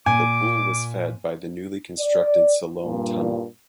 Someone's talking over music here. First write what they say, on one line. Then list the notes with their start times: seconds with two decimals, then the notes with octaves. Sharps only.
The pool was fed by the newly constructed Siloam tunnel.
0.06 A#2 G#5 D6
2.00 D5
2.83 G2 A#2